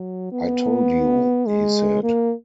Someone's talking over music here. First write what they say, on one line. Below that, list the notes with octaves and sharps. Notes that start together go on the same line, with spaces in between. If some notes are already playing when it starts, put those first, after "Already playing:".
"I told you," he said.
Already playing: F#3
B3
G#3
A#3